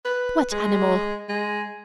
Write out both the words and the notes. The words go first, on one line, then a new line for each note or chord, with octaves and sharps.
"What animal?"
B4
G#3
G#3